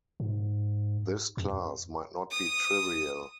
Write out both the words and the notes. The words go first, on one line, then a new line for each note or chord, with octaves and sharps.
This class might not be trivial.
G#2
F2
D#6